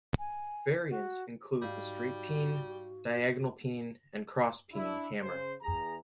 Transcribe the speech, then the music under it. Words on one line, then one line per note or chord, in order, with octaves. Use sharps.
Variants include the straight-peen, diagonal-peen, and cross-peen hammer.
G#5
F#4
G#2 G3 F#4 F5
D4 E4
C#3 C5
E2 G#4 A#5